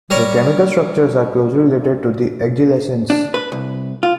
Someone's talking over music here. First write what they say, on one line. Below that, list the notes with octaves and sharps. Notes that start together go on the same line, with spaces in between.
Their chemical structures are closely related to the agelasines.
G3 A#4 C#5 A#5
D4
B4
C2
F4